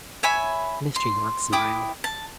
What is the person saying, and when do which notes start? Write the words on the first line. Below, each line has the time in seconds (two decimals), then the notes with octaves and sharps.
Mr. Yorke smiled.
0.23 C#5 E5 G#5 B5
0.96 C6
1.52 E4 G5 D6 D#6
2.04 A5